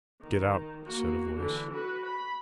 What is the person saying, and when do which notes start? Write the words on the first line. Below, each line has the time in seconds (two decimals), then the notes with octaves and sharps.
"Get out," said a voice.
0.22 D#3
0.86 A#3 F#4
1.36 D3 E3
1.71 F#4 B4
2.06 B5